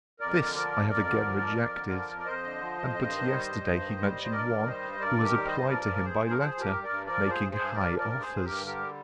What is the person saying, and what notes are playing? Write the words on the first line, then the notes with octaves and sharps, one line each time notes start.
This I have again rejected; and but yesterday he mentioned one who has applied to him by letter, making high offers.
F2 A#4 D5
D3
F3 A#4 D5
F2
F2 A#4 D5
D3
F3
F2
F2
D3
F3
F2
D5
F2 C5 D#5
D3
F3
F2
G2
D#3
G3
G2
G2
D#3
G3
G2
C5
G2 A#4 D5
D#3
G3 C5 D#5
G2
G2 A#4 D5
D#3
G4 A#4
G3
C5 D#5
G2
C5
F3 A#4 D5
F3
G2 G#4 C5
G2
A#4
F3 G#4 C5
F3
G4 A#4
G2
A#4 D5
G2
F3 A#4 D5
F3
G#4 C5
G2
G#4 C5
G2
F3 A#4 D5
F3
A#4 D5
G2
G#4 C5
G2
G2 G4 A#4
D3
G4 A#4
G3